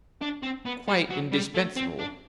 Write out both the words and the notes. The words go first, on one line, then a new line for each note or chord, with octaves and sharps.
"Quite indispensable."
D4
C4
B3
G3
F#3
G3
A3
C4
D4